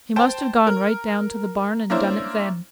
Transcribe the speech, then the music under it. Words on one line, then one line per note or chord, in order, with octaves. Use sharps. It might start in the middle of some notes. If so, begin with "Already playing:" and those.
He must have gone right down to the barn and done it then.
C5 G5 A5
A#4
A#3 C#4 D4 E4 C5